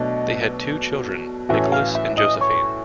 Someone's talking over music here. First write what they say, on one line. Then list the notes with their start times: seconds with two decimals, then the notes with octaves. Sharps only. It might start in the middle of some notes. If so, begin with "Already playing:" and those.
They have two children, Nicholas and Josephine.
Already playing: B2 F#3 A3 D4 D#5
1.49 A2 E3 A3 C#4 F#4 E5
1.72 F5
1.95 E5
2.18 D#5
2.41 C#5